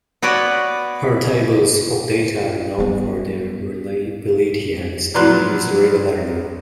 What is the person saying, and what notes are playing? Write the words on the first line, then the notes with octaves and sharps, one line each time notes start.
Her tables of data are known for their reliability and still used regularly.
B3 F#4 B4 C#5 D5
G3 B3
A#2 F3 F#3 B4 C6 F#6